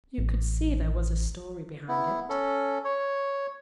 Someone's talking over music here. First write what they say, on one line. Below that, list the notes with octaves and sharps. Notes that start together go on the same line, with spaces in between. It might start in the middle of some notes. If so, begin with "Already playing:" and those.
You could see there was a story behind it.
A1
B3 E4
C#4 A4
C#5